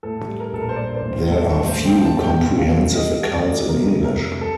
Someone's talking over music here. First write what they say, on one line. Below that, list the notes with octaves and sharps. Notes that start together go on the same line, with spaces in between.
There are few comprehensive accounts in English.
A2 A4
G3
A#4
A#1 A4
A#4
C5
G2 D5
C5
A1
G2
A4
D2 A4
C5
D2
G5
D2
A5
A#2 G5
C2
F5
F3
G3 D#5
G3
D5
D2
F2 A#4
F1
A#4
C3
G3 A4